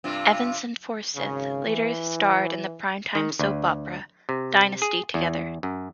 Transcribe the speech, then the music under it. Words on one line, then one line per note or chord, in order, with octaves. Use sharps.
Evans and Forsythe later starred in the primetime soap opera "Dynasty" together.
G2 C3 F4
G#1 C#3
E3
D#3
D2
C3
G#4
E2
F#2